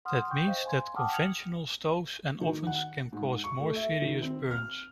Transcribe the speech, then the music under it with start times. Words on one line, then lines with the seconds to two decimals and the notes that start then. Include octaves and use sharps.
That means that conventional stoves and ovens can cause more serious burns.
0.05 F#5 C6 D#6 F6
0.31 G5 C#6 G6
0.47 C5 D#5 F5
0.66 G#5 C6 G#6
0.96 F#5 G5 A5 D6 D#6 F6
1.13 F6 G#6 C#7 F7 F#7
2.41 D#3
2.67 F#5
3.12 G#2
3.44 C#6
3.60 A3
3.76 E5
4.02 D#3
4.22 C4
4.51 F6